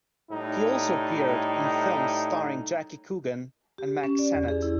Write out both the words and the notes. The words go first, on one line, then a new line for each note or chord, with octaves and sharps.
He also appeared in films starring Jackie Coogan and Mack Sennett.
A2 G3 D#4
G4
C#4
D5
E2
G#4
E4